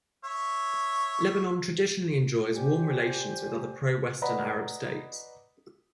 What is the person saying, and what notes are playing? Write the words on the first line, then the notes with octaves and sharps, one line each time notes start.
Lebanon traditionally enjoys warm relations with other pro-Western Arab states.
C#5 E5
G4 C5 D5 G#5
B4 D5 D#5 F#5 A#5 B5